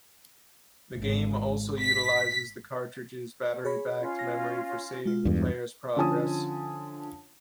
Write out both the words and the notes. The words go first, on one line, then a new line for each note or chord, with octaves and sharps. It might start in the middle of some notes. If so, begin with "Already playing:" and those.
The game also utilizes the cartridge's battery-backed memory for saving the player's progress.
G#1
B6
G#4 C#5 B5
C#4 F4
A#6
G#3 F4
E2 G2
D3 F3 C#4 G#5 A5 D#6